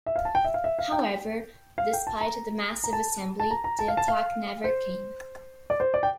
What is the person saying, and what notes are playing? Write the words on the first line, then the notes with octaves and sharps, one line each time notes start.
However, despite the massive assembly, the attack never came.
E5
F5
A5
G5
E5
F5
E5
F5
G5
F5
G5
A5
A#5
A#5
A5
A5
A#5
A#5
A5
F5
A5
F5
C5
D5
C5
D5
G5